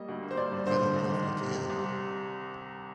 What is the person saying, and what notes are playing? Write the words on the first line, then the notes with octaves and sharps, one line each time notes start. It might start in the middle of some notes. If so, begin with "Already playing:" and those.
I don't know if I can.
Already playing: G3 A#3 D#5
D2
A#3
C5
G2 D5
G2
D3 C5
G2
C2
D#3
D#3
C3
C3
C2
C3